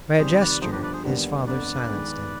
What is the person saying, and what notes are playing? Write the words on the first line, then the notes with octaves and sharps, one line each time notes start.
By a gesture his father silenced him.
C3 D#3 G3 G#4 C5
B4 D5
G1 G2 F3 G#4 C5
G4 B4
B4 D5
G#4 C5
D#2 D3 G3 B3
G1 F2 D3 B4 D5
D#3 G#3 B3